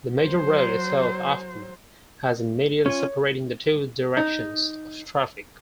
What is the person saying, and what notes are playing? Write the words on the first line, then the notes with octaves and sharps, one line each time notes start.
The major road itself often has a median separating the two directions of traffic.
F#3 C5
C#4 F4 C#5 G#5
D#4